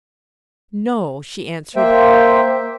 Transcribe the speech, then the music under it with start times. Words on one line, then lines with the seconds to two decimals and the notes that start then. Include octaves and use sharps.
"No," she answered.
1.76 A#3 C5 E5 G5